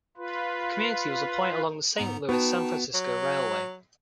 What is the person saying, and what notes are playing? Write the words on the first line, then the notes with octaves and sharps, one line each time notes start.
The community was a point along the Saint Louis-San Francisco Railway.
F4 B4
G#2 B3 A#5
B3 D#4 F#4 G5 A5
F#3